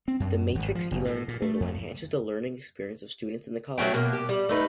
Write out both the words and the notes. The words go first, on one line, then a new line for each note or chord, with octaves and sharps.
The Matrix E-learning Portal enhances the learning experience of students in the college.
C4
F#2
G#1
F3
F#1
A2
A#2
A3
F2
F#3 A3 C#4 G5
B2 A#3
G4
G3
A3 D#4 B4